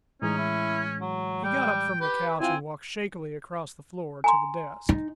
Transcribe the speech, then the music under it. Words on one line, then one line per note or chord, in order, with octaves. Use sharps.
He got up from the couch and walked shakily across the floor to the desk.
A2 E3 G#3 C#4 D#4
E4
F#3
G3 G5
G4 B4
C4 E4 F4 F5 G#5
G#5 A#5 C6
D#4